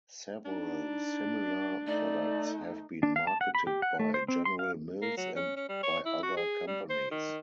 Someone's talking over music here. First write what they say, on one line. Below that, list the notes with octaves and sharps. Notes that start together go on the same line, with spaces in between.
Several similar products have been marketed by General Mills and by other companies.
D4 D#4
A3 D#4 D5
D4
F5
A5
F#5
B5
G4
F#5
A3
C5
C4
C6
F5
A#3
F#3
C#4
C#4
G3
C#5
E4
F#4
G#4
G3
C5
D#3